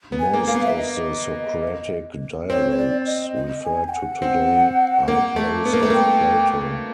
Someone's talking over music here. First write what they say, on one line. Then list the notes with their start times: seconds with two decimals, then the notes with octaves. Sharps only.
Most of the Socratic dialogues referred to today are those of Plato.
0.12 B3
0.20 G#5
0.34 A#3
0.47 A#3 F5
0.54 B3
0.65 E5
0.77 D#5
2.49 C4 C#5
2.71 C#5
2.78 D5
3.06 D#5
3.36 D#5
3.65 G#5
3.88 G5
3.92 F#5
4.22 C4
5.08 A#3
5.36 A3
5.66 B3
5.73 A#3
5.83 A3
5.90 A#3 G5